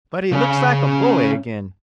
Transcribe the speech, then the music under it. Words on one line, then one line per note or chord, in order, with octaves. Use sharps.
But he looks like a boy again!
C#3 C#4